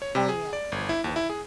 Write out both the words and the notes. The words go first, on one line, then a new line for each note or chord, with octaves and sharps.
Oh yeah, for sure.
C#5
C3
G#4
D5
G1
E4
D#2
E4
G#4